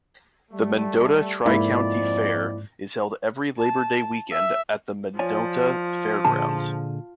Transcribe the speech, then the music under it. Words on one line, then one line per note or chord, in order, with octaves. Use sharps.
The Mendota Tri-County Fair is held every Labor Day weekend at the Mendota Fairgrounds.
G3 A3
F2 G#2 A#3 E4 D5 B5
A5
E5
F3 C#5 D5 G#5
A#2 D3 G#4 A5